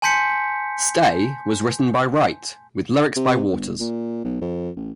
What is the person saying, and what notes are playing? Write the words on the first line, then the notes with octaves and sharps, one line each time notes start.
"Stay" was written by Wright, with lyrics by Waters.
G#5 A5 C6 G6 B6 C#7
C3
G1
A#2
B1
F2
A1